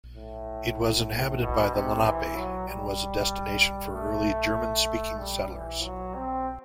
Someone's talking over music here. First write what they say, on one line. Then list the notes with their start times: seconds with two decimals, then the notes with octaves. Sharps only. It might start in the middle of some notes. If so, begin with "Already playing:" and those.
It was inhabited by the Lenape and was a destination for early German-speaking settlers.
0.15 A2
1.41 B2
1.73 C3
2.04 E3
2.36 F#3
2.67 G3
3.93 A3
5.20 G3
5.52 E3
5.83 F#3
6.14 C4